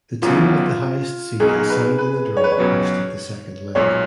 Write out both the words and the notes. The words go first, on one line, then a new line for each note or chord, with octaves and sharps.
The team with the highest seed assigned in the draw hosted the second leg.
G#1 F#2 C#3 F#3 B3 F4
B1 B2 A#3 D#4 G#4
B4
B4
C#5
B4
C#5
C#2 B2 F#3 C#4
B1 A#2 G#3 C#5